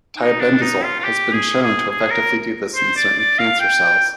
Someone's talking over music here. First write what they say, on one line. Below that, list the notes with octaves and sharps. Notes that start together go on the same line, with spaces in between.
Tiabendazole has been shown to effectively do this in certain cancer cells.
D#4
D4
D#4
F4
F4
G4
G#4
G#4
G#4
A#4
C5
D5
D5
F5
G5